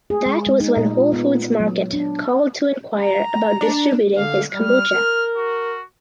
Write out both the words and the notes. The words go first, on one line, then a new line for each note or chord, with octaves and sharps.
That was when Whole Foods Market called to inquire about distributing his kombucha.
G#4
G#3
G#3
D#4
A#2
F4
B3
F#3
D4
A#5
D4
D3 F5
G3 F6
A#4
F#4